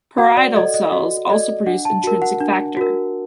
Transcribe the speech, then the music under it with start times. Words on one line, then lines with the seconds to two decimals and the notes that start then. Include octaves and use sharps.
Parietal cells also produce intrinsic factor.
0.18 F#4 F#5
0.37 D5
0.55 A4 D5 D#5
0.74 D#5
0.92 F#4 D#5
1.30 A4 D5 D#5
1.67 D4 F#5
1.85 A5
2.04 F#4 A#4
2.22 F#5
2.41 D4
2.77 F#4 A#4